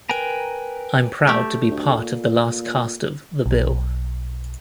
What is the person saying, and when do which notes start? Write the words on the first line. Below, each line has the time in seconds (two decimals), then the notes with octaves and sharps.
I'm proud to be part of the last cast of "The Bill".
0.09 A#4 B4 G5 G#5 A#5
1.27 A3 G4
1.70 D2
1.98 A#2
3.46 B1